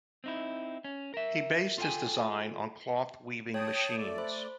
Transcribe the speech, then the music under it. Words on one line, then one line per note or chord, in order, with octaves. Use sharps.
He based his design on cloth weaving machines.
C4 D#4 E4
C#4
A#4 E5
F4 A4 A#4 F5 G5 G#5
C#5 G5 A5 D#6 G#6
A3 D5
C5 B5